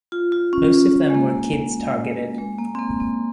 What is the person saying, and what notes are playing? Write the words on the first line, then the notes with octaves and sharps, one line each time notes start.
Most of them were kids-targeted.
F4
F4
C#4
G#3
A#3
G#3
A#3
C4
A#3
A#3